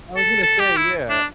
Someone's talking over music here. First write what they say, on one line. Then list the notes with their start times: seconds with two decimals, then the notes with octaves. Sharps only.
I was gonna say, yeah.
0.16 A4
0.43 A4
0.59 G4
0.76 E4
1.09 D4